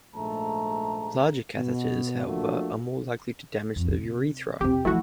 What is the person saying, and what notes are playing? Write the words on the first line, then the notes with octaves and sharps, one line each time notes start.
Larger catheters, however, are more likely to damage the urethra.
A#1 G#2 A3 A5 A#5
B2
F3 A3 A#3 D4 F#4
F2
C3
F2 C3 C4 G4
E3 F3 A3 E4 F#4